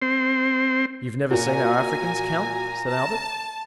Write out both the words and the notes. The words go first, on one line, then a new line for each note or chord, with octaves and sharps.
"You have never seen our Africans, count?" said Albert.
C4 C6
A#2 F#4 G#5 A#5
A5